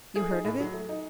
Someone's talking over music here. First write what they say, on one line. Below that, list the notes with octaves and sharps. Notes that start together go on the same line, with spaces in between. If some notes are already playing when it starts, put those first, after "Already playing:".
You heard of it?
A3 G#4
D#4
A2
F#3
A3
D#4